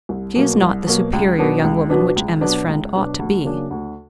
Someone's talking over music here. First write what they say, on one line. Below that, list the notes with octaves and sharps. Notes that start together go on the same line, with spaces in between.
She is not the superior young woman which Emma's friend ought to be.
C2
B2 F#3 A#3
C2
B2 F#3 A#3
C#2
B2 F#3 B3 D4
C#2
B2 F#3 B3 D4
C#2
B2 F#3 B3 D4
C#2
B2 F#3 B3 D4
D2
C#3 F#3 A#3 D4
D2